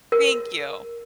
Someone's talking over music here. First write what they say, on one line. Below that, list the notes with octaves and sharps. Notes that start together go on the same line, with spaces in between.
Thank you.
A#4